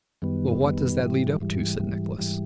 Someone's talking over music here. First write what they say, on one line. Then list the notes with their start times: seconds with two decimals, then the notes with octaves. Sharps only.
"Well, what does that lead up to?" said Nicholas.
0.22 F#2 D#3 G3 B3
0.61 F#2 D#3 G3 B3
1.00 G#2 E3 G3
1.40 G#2 E3 G3
1.79 G#2 E3 G3
2.18 G#2 E3 G3